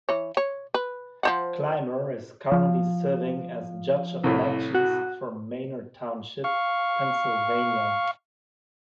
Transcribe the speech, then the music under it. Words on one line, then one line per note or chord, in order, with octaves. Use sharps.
Clymer is currently serving as Judge of Elections for Manor Township, Pennsylvania.
E3 C#5
C#5
B4
F3 C5 F#5
F3
C2 A2
F#4
F5 C#6